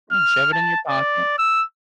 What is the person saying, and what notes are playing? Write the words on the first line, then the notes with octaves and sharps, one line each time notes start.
Yeah, shove it in your pocket.
F6
A5
D5
E6